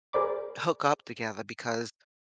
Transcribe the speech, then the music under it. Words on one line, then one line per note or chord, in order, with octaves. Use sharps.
hook up together because
G#4 A#4 C5 D5 B5 D6